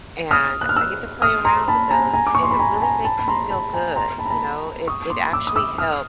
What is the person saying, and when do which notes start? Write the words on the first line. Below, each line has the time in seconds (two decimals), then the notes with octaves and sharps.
And I get to play around with those, and it really makes me feel good, you know? It it actually helped.
0.31 D#6 F6
0.61 F#6
0.69 F6
0.76 E6 F#6
1.22 D#6 F6
1.45 A#5 C6
1.68 A5 B5
1.91 G#5 A#5
2.13 G#5 A#5
2.27 D6
2.35 C#6
2.43 C6
2.51 B5
2.59 G#5 A#5
2.75 A5
2.82 G#5 A#5
3.05 A5 B5
3.19 B5
3.28 A#5 C6
3.50 A5 B5
3.73 G#5 A#5
3.96 A#5 C6
4.18 A5 B5
4.26 A#5
4.30 A5 B5
4.87 C#6 D#6
5.10 C6 D6
5.33 D6 E6
5.47 D#6
5.56 D6 E6
5.78 D#6 F6